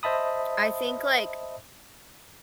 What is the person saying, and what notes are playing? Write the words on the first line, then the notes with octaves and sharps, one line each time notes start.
I think, like,
C5 D#5 E5 A5 B5 D#6